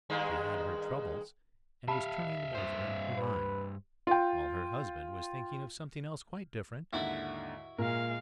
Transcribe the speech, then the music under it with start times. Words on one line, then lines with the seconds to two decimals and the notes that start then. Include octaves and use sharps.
She had her troubles, and was turning them over in her mind, while her husband was thinking of something else quite different.
0.10 G2 D#3 G#3
1.88 G4 E5 F5 A5 B5
2.55 G2 C5
3.17 B4
4.07 F4 G5
6.93 D#2 G#2 D3 E4 F#4 B5
7.78 A#2 G#3 A#4 F5